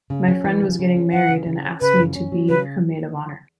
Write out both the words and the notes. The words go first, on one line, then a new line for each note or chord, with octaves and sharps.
My friend was getting married and asked me to be her maid of honor.
C#3
C#4
E3
C#3
C#3
C#4
E3 F#5
C#3
C#3
C#4
C#3 B4
F#2
C#4
F#3
C#3 B4